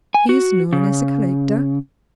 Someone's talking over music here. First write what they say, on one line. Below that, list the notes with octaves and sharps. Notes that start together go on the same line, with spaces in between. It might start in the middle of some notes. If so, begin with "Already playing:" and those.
"He is known as a collector?"
G#5
F#4
C#3